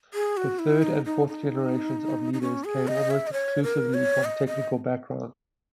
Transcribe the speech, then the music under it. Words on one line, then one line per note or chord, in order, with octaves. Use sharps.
The third and fourth generations of leaders came almost exclusively from technical backgrounds.
G#4
F#4
E4
D#4
D#4
D#4
D#4
C#4
G#4
D#5
E5
D#5
C#5
A#4
C#5
D#5
D#5